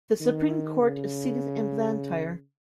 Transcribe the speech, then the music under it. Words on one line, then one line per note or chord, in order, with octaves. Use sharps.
The Supreme Court is seated in Blantyre.
D#3
C#3